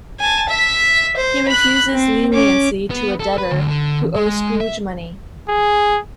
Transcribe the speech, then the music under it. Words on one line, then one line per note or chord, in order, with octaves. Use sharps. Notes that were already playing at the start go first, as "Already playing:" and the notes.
He refuses leniency to a debtor who owes Scrooge money.
G#5 A5
E5 B6
C5
B5 F#6
C4
C#4 D6
B3
A4
B4
D2
D3
G#3
E5
G#4